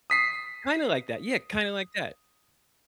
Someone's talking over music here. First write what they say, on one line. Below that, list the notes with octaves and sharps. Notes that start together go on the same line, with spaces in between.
kinda like that yeah, kind of like that,
D#6 B6 C7